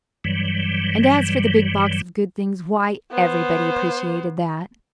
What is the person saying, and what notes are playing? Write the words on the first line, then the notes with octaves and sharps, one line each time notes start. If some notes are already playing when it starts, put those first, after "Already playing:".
And as for the big box of good things, why, everybody appreciated that.
G2 E3 F#3 G3
B3 C5